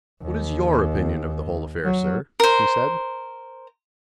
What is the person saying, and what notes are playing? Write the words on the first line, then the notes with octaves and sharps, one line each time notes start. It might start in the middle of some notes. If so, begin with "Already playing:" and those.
"What is your opinion of the whole affair, sir?" he said.
D#2
F#3
A#4 C5